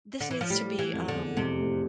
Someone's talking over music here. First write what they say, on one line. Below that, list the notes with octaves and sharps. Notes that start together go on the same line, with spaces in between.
This needs to be, um,
D3
E3
F3
A2 G3
E3
F2
D3
E2
F2 C3
A2